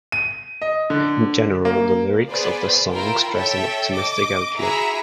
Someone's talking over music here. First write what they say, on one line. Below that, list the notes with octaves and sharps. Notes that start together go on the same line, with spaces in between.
In general the lyrics of the song stress an optimistic outlook.
D#7
D#5
D3
A#3
B3 G#4 B4 C5 D5
E4 F4 A#4 G5
A4 C#5 E5 G5
D#5 D6
E4 F#4 G#4 E5 A#5